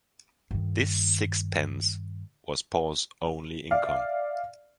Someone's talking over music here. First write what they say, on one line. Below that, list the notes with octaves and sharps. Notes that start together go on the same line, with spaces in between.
This sixpence was Paul’s only income.
G2 D#3
D5 E5 F5